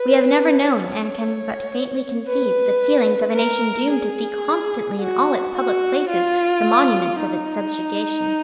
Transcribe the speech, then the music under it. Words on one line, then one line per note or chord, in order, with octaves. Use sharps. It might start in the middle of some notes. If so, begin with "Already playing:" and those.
We have never known, and can but faintly conceive, the feelings of a nation doomed to see constantly in all its public places the monuments of its subjugation.
Already playing: B4
C#5
B4
A#4
G#4
F#4
F#4
F4
D#4